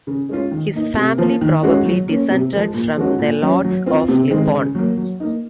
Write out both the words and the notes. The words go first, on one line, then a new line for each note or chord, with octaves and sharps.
His family probably descended from the Lords of Lipporn.
C#3
G#3 C#4 F4
D#3
A#3 D#4
C3
F3 A#3 F4
D#3
G#3 C#4 F#4
F#3
A#3 C#4
C3
F3 G#3
A#2
F3 G#3 C#4 F#4
A#2
F#3 C#4
F#3
C4 F4
C3
D#3 G#3 C4 D#4
C#3
F#3 A#3
F#3
A#3 D#4